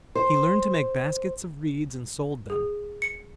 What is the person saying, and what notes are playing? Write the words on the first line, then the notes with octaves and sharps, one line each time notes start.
He learned to make baskets of reeds and sold them.
C5
G#4
C#7